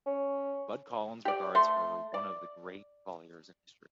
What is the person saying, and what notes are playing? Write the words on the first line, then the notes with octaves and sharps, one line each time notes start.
Bud Collins regards her one of the great volleyers in history.
C#4
G4 D5
A3 C6
D5